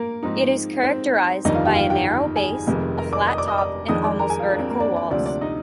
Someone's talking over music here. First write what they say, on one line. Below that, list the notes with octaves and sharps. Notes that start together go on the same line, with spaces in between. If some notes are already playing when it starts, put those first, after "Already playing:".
It is characterized by a narrow base, a flat top and almost vertical walls.
Already playing: A#3 A#4
G#2 F3 C4 D#4
C4 C5
G1 F2 D#3 G3 D4 D#4 D#5
F4 F5
G4 G5
F4 F5
G4 G5
G#4 G#5
F1 F2 C3 D#3 G#3
A#4 A#5
D5 D6
D#5 D#6
D5 D6
D#5 D#6
D5 D6
F2 D#3 G#3 D4 D#5 D#6
D5 D6
A#4 A#5
G#4 G#5
F4 F5
D4 D5
A#4
C4 C5
A#3 A#4
D4 D5
D4 D5
D2 C3 F3 A#3 D4 D5
D4 D5
D#4 D#5